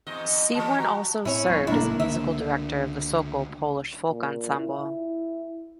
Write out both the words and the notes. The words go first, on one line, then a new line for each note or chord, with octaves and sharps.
Seaborn also served as a musical director of the Sokol Polish Folk Ensemble.
E2 G#2 D#5
E3 F3 G3 A5
F#4 A#5
A2 C4 C#4 E4
E1 F#3 B3
G#1 G2 B2 A#3 D4 E4
C#2 D3 E5
A#2
E4